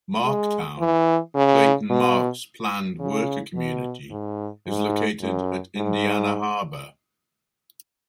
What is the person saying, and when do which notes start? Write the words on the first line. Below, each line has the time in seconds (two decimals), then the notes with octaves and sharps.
Marktown, Clayton Mark's planned worker community, is located at Indiana Harbor.
0.24 G#3
0.80 E3
1.35 C#3
1.90 B2
3.00 C#3
3.56 B2
4.10 G#2
4.66 G#2
5.21 F#2
5.77 G#2